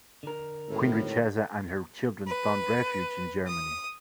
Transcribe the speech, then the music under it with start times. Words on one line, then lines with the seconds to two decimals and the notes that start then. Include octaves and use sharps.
Queen Richeza and her children found refuge in Germany.
0.23 D3 A#4
0.68 G#1 A2
2.27 B4
3.48 D#6